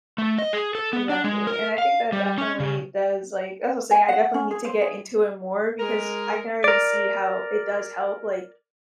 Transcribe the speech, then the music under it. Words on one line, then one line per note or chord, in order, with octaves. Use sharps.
Exactly. And I think that definitely does, like as I was saying, I definitely need to get into it more because I can already see how it does help, like,
A3
D#5
G#4
A4
B3
D4
G#3
A#4
F5
G3
C#4
C#3
G#5
F#5
C#4
G#4
C5
G#4
G#3 A#4
A#4 D5